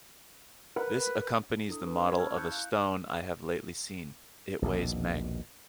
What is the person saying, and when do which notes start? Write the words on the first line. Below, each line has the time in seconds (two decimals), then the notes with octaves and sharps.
This accompanies the model of a Stone I have lately seene; it weighs Mang.
0.76 A#4 B4 F#5 B5
1.68 D4 E4 A4 D#6
1.87 B4
2.06 C#4 C5 G#6
2.18 A5 B5 C#6 E6 F6 G#6
2.36 E4 F#6 G6 C#7
2.52 F5 F#6
4.62 A#1 D#2 B2